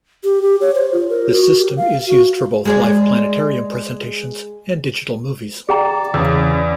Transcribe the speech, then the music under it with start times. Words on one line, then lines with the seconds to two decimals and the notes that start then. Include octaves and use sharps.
This system is used for both live planetarium presentations and digital movies.
0.24 G4
0.42 G4
0.61 C#5
0.75 C5
0.92 F4
1.10 A#4
1.32 F#4
1.58 G4
1.77 F5
2.08 F#4
2.65 G#3 G#4 D5
5.69 G#4 D5 G5 A#5
6.14 E2 C#3